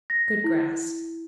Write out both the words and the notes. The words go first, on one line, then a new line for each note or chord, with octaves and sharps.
Good grass.
A#6
E4